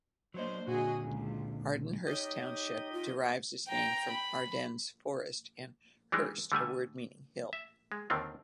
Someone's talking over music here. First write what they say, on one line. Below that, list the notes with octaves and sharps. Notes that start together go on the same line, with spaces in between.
Ardenhurst Township derives its name from Ardennes Forest and "-hurst", a word meaning hill.
F#3 A#3 D4 C5 C#5 D#5
A#2 D3 F#4 G#4 D#5
C#2
D#4 G4 C#5 D#5
F4
G5 A#5
B5
E3 G3 G#3 D4 D#4
D3 G3 A3 G#5
E5
G#3
D#2 D3 D#3 C4 D4